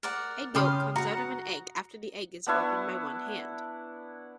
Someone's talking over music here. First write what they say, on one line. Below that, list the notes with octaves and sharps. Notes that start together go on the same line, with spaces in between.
Egg yolk comes out of an egg after the egg is broken by one hand.
A#4 D5 F#5
C#3 G4 G5 C6 D#6 F6
F#4 F#5 A#5
B3 D4 E4 C#6